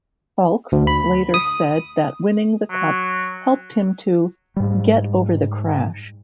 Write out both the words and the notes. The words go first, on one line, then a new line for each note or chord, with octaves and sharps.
Foulkes later said that winning the Cup helped him to "get over the crash".
D2
B5
D#6
F#3
G#2 G3